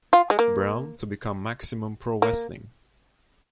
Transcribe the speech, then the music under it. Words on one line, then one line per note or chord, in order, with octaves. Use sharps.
Brown, to become Maximum Pro Wrestling.
F4
G#3
A#3
A#3